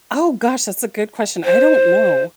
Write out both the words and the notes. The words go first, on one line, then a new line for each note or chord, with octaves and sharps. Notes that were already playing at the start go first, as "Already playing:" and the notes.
Oh, gosh, that's a good question, I don't know.
C5